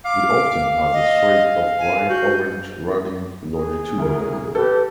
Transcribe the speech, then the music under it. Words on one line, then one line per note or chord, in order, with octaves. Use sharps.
It often has a streak of bright orange running longitudinally.
F5 D6
D#5
G#5
F#4 G6
G#4
D2 A#4
G4 A4 B4